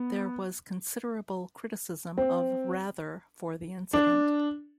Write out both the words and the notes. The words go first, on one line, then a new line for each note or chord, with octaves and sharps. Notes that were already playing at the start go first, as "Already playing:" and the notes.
There was considerable criticism of Rather for the incident.
Already playing: B3
C4
D4